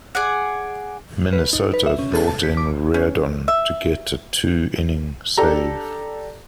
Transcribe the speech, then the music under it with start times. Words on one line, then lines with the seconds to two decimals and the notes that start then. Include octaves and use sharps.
Minnesota brought in Reardon to get a two-inning save.
0.15 G#4 D5 F#5
1.33 B4
1.53 D#4
1.74 B4
1.86 E5
1.99 C#4
2.13 A4
2.28 A5
2.43 B6
2.57 D6
2.94 C#4
3.48 E5
5.37 D4 G4 A4 A#5